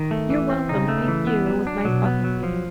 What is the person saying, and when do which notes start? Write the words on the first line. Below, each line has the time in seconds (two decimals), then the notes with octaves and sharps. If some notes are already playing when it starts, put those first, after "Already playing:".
You're welcome, thank you, it was nice talking to you.
Already playing: D#3
0.11 A3
0.30 E3
0.50 C4
0.69 C#3 D#4
0.88 A3
1.08 E3
1.27 B3
1.46 F#3
1.67 D4
1.85 B2 F#3
2.05 B3
2.24 F#3
2.43 F3